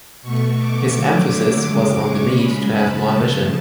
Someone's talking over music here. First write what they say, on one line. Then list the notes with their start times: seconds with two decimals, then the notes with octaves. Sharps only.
His emphasis was on the need to have more ambition.
0.22 B2 A3 C#6
0.57 D6
0.93 D3 F#3 A3 D6
1.64 C#3 G#3
1.99 C#6
2.35 C#3 G#3 B5
2.71 A5
3.06 C#3 F3 A3